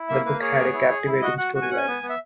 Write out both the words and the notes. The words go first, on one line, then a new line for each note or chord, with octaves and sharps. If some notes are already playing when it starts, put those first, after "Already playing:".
The book had a captivating storyline.
Already playing: E4
A#3 E5
A#3 B4
G#4 C#5
B3
E4
G#4
E4
F#4 D#5
F#4 F#5
F#4
G#5
C#4 F#5
G#5
B3
B3
E5